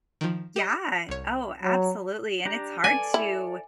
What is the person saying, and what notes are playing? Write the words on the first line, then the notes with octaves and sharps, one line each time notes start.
Yeah, oh, absolutely, and it's hard to
D#3 F3
G4 D#5
C2 C#5
F#3
D4 G4 A#5
A4 D5 G#5
E4